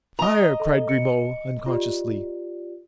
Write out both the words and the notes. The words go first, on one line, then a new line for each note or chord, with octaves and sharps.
"Fire!" cried Grimaud, unconsciously.
D#5 A#5
A4
C#7
F4 G4 D5